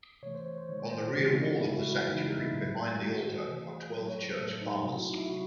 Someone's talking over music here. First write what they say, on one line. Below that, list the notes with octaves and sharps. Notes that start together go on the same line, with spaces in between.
On the rear wall of the sanctuary, behind the altar, are Twelve Church Fathers.
C3 E3 A3 C#5
C5
C#5
C5
D#3 G#3 C#5
C5
C5
A4
C3 E3 G#3 F#4
E4
E4
C#3 G#3 E4
F#4
E4
C#3 E3 G#3 D#4
E4
D#4
E4
A2 F#3 A3
D#3 A3 F#4
C3 E3 A3 G#4
C3 F#3 A3 A4
C#5
C5
A2 F#3 A3 A4
C5
D#4
D#4
C3 F#3 A3 F#4
E4
D#4
E4
C3 F#3 A3 F#4